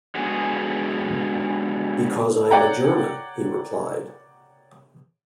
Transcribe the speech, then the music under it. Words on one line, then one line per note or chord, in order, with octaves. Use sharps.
"Because I am a German", he replied.
D3 F#3 G#3 B3 F#4 G#4
C#5 D5 F#5 G5 A#5